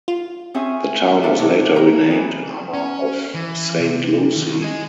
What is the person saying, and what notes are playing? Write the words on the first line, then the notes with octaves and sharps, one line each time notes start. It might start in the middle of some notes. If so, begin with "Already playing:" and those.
The town was later renamed in honor of Saint Lucy.
F4
C4 C#4 G#4 E5
D4 A4 A#4 E5 F5
C3 F#3 A4
A#5
E3 G#4
C#4
E3
C3
D#2
G#4 D#5